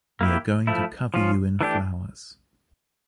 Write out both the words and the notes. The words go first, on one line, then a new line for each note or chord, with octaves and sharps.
We are going to cover you in flowers.
A#3 E4 G4
F3 A3 E4
F3 C#4 F4
E3 A3 D4 G4